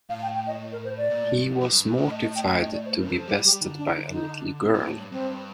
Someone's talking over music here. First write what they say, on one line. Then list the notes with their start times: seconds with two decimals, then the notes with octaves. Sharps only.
He was mortified to be bested by a little girl.
0.09 A2 F5
0.22 G5
0.35 G5
0.47 D#5
0.72 A#4
0.85 C5
0.97 D5
1.10 A#2
1.23 A2
1.35 G2
1.48 F2
1.61 G2
1.72 G2
1.85 G2
1.98 A2
2.11 D#5
2.23 D#5
2.35 G5
2.44 A5
2.48 G5
2.60 D#5
2.73 D5
2.86 C5
2.99 A#4
3.11 F3 A4
3.27 G3 G4
3.45 G3 G4
3.61 D3 D#4
3.78 D4
3.94 D#4
4.11 D#4
4.61 A#2 C4
4.74 A#2
4.86 A2
4.99 G2
5.11 G2 C4